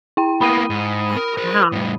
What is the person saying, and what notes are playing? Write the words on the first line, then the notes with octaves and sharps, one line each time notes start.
Oh, wow.
E4 G5
A#3 B3 B5 D#6 D#7
G#2
A#4
A#4 C5
A2 G3